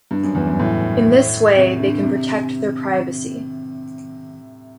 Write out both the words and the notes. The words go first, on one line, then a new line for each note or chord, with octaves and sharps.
In this way, they can protect their privacy.
G2
F#2
E2
F#2
A2
C3
D3
C3